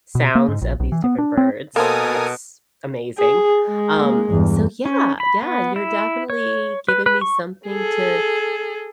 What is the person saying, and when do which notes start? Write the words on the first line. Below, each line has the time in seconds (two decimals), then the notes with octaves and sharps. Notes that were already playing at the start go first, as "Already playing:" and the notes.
sounds of these different birds, that's amazing. Um, so yeah, yeah, you're definitely giving me something to
0.15 B2
0.35 A#3
0.48 G#2
0.62 A#1
0.80 B1
0.92 E3
1.04 B3
1.18 D4
1.37 C4
1.76 B2 A#3 A4 A#4 C5 G#5 D#6
3.19 G#4
3.68 G#3
3.98 A#3
4.30 E2 G2
4.85 C#4
5.20 B5
5.42 B3
5.76 E4
6.30 C#5
6.88 B4
7.06 B4
7.21 C#6
7.67 G#4 A4